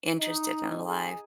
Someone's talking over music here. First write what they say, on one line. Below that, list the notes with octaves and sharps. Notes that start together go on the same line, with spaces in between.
interested and alive.
D#4
G#4